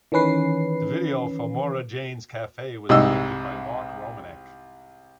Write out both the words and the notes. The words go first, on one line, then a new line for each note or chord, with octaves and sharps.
The video for "Moira Jane's Cafe" was directed by Mark Romanek.
D#3 E3 C#4 B4 C7
C2 G#2 D#5 E6